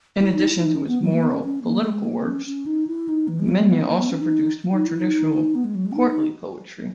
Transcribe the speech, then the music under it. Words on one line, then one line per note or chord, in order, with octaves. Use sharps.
In addition to his moral-political works, Mena also produced more traditional courtly poetry.
E4
D#4
E4
D#4
C#4
B3
F#3
A#3
B3
C#4
C#4
A#3
G#3
A#3
C#4
C#4
D#4
E4
D#4
E3
G#3
F#3
A#3
B3
C#4
A#3
B3
C#4
D#4
D#4
E4
D#4
B3
G#3
F#3
G#3
C#4
D#4
D#4